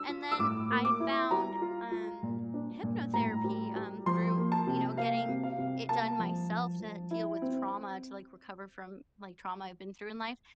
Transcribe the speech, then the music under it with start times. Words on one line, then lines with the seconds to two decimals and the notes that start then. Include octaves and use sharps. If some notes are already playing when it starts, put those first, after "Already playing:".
And then I found, um, hypnotherapy, um, through, you know, getting it done myself to deal with trauma to, like, recover from, like, trauma I've been through in life,
Already playing: D4 E6
0.09 F4
0.32 E6
0.39 A2 D6
0.70 A#3
0.85 D6
1.00 E4
1.31 G3 A#5
1.62 F4
1.92 F4
2.23 A#2
2.54 D4
2.83 A#2
3.14 A2 A#5
3.44 G3
3.75 G3
4.06 F3 C6
4.37 A#3
4.52 A5
4.67 C3
4.97 A#3 F5
5.28 C3
5.43 F5
5.58 C3
5.89 A#3 A5
6.19 F3
6.50 F3
6.80 F3
7.11 E4
7.42 C4